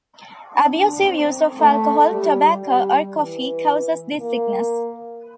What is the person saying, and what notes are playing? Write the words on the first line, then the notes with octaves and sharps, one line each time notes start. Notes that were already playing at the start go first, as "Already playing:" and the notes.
Abusive use of alcohol, tobacco or coffee, causes this sickness.
D4
C4
A3
G3
G3
E3
A#3